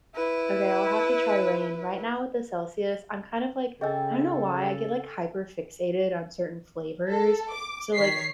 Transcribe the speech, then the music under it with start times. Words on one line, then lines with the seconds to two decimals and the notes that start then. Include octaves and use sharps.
Okay, I'll have to try Reign. Right now with the Celsius, I'm kind of like I don't know why I get like hyper-fixated on certain flavors, so, like,
0.15 E4 B4
3.81 C#3 G#4 A4 D#5 G5 G#5 E6
7.09 A4
7.51 D6
7.94 D#3 C#5 B6 C7